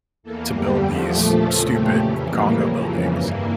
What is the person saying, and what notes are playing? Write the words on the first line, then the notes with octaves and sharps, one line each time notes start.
to build these stupid condo buildings
E2 E3 A#3 A4
E2 D3 G3 G4
E2 D3 F3 A3
A#2 F3 A3 A4
E2 C#3 F3 A3
A#2 A3 G4
F2 C#3 E3
A2 E3 G3 A#3
C#3 F3 A#3
F2 C#3 E3 A4
G2 E3 A#3 A#4